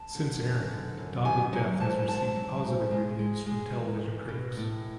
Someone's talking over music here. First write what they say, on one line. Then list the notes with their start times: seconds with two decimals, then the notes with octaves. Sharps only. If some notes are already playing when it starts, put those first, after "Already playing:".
Since airing, "Dog of Death" has received positive reviews from television critics.
Already playing: A5
0.15 D3
0.43 F#2
0.71 D3
0.97 F#2
1.25 D#3 G#5
1.53 F#3 G#5
1.80 G#2 A5
2.08 G#2 A5
2.36 F#3
2.63 G#2
2.91 G#3
3.19 G#3
3.46 G#3
3.74 E2
4.02 E2
4.29 B2
4.57 A2